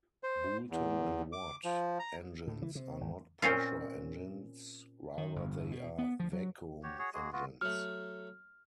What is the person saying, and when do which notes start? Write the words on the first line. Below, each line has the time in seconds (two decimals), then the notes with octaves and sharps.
Boulton and Watt engines are not pressure engines, rather they are vacuum engines.
0.23 C5
0.70 E2
1.33 D6
1.65 F3
1.99 A#5
2.47 A2
2.62 E3
2.75 C3
3.01 G#1
3.42 A#2 C4 C#4 F4
5.17 D#3
5.36 G1
5.72 B2
5.98 B3
6.20 F3
6.33 F#3
6.83 F#4 G4 C#5
6.99 F#4 G#4 C#5
7.13 G#3 A#3 F#4 G#4
7.33 B3 F4 F#4
7.61 F#3 A3 F6